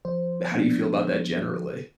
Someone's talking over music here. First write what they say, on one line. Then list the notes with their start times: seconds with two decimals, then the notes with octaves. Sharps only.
how do you feel about that generally?
0.05 F3 C5
0.52 B3 D4